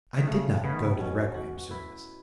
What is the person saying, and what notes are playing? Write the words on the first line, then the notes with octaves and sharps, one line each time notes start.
I did not go to the requiem service.
D#3
C#3 A3
C#3 B3
D#3
C#3
A2
B2 C#4
F#4
F#4
E4